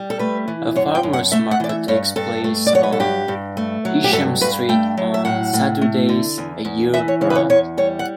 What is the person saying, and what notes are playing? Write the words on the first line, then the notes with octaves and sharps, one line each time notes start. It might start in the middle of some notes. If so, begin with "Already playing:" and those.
A farmers' market takes place on Isham Street on Saturdays, year-round.
Already playing: G3
A4
A3 B4
E3
F#2 C#5
G5
F#2
F#5
A3 E5
F#5
E3 D5
E5
G2 C#5
G2 A4
A3
D5
F#3 C#5
B4
A4
G2 G4
G2
A3
F#3
G4
G2 A4
G2 B4
A3 G5
F#3
E5
A2 F#5
A2
A3
D3
E2
E2
E3 E5
C#5
C#3 C#5
B4
C#5
E2 C#5
G3 C#5
F#5